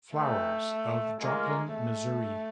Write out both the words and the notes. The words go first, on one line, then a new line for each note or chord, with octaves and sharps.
Flowers, of Joplin, Missouri.
A3 D#4 G#4 B4 E5 G5
G#3 A#3 C#4 F4 A#4
A3